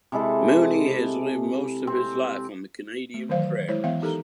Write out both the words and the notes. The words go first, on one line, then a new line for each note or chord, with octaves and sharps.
Mooney has lived most of his life on the Canadian prairies.
C3 G#3 E4 A4
C4
A3
D#3 E3 F#3 C5 F5
G#3 E4 C5 C#5
E3 B3 E5 F5
D#4 G4 A4 A#4 A#5